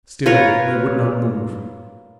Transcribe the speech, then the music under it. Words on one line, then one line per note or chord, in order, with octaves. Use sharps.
Still they would not move.
F4 A#4 B4 C#5